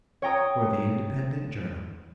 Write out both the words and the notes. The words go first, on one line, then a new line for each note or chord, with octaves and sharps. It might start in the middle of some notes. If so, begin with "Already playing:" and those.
For the Independent Journal.
C#5 G5 A#5 D#6